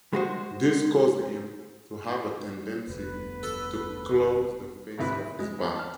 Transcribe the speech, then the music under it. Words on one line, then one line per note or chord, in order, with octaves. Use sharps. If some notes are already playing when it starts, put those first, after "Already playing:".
This caused him to have a tendency to close the face of his bat.
G#3 F#4 C5
F1 D2 G2 B3 B4
A4
G#1 D2 C3 E4 B4
C4
G#3
B3
A5 F6